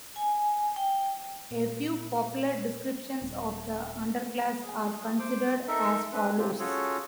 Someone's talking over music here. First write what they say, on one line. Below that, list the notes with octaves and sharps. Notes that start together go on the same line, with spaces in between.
A few popular descriptions of the underclass are considered as follows.
G#5
G5
A#2
D#1
G#4
C5 D6
D#4 A4 A#4 E5
C4 D4 B4
A2 C3 C4 F4 G4
C#4 F4 F#4 G#4 A4 C#5